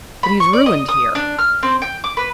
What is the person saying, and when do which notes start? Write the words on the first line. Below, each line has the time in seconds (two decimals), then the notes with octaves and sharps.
But he's ruined here.
0.23 B5
0.40 C#6
0.53 D5
0.66 D#5
0.89 D#6
1.15 D4
1.39 F6
1.63 C4
1.82 G5
2.04 D6
2.17 B4